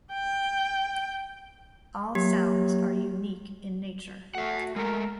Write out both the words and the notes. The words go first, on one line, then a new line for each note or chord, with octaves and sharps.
All sounds are unique in nature.
G5
F#3 A#3 G4
A3 F#4 E5 F#5
G#3 A3 A#4